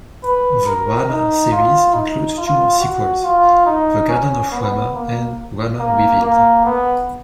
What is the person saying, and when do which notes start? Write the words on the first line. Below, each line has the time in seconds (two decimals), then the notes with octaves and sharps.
The "Rama" series includes two more sequels: "The Garden of Rama" and "Rama Revealed".
0.23 B4
0.66 A#4
1.09 D#4
1.52 F4
1.94 D#4
2.37 F4
2.80 F#4
3.23 F4
3.66 D#4
4.08 C#4
4.51 B3
4.94 A#3
5.79 A#3
6.22 A#3
6.65 B3